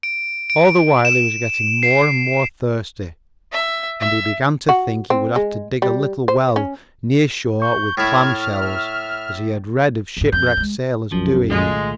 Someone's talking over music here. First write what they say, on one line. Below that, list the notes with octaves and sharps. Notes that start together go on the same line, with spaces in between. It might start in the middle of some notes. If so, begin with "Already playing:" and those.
All the while he was getting more and more thirsty, and he began to think he would have to dig a little well near shore with clam shells, as he had read of shipwrecked sailors doing.
D7
D7
E7
C7
E5
E5
F#4
C4
G#3
G3
C5
C#4
C#6 G6
A2 E4 F6 G#6
E5
E2 A2
F2 G6
G3 G#3
F1 B1 F#2 F3 F#3
C2 A#2 D#3 G#3 A3 F4